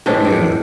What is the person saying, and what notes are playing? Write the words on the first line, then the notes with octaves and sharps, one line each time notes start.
Oh, yeah.
A2 E3 G#3 C4 D4